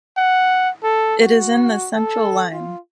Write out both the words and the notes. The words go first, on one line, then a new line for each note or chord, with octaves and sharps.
It is in the central line.
F#5
A4
F#4
A4
F4